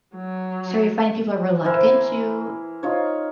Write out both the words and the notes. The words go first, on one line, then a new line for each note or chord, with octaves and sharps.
So, you're finding people are reluctant to
F#3
E3 E4 A#4 C5
D#4 F4 C#5